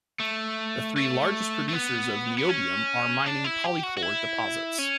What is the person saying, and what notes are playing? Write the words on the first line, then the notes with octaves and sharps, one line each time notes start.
The three largest producers of niobium ore are mining pyrochlore deposits.
A3
A3
A3
B3
B3
C#4
D4
E4
G4
F#4
F#4
E4
C#4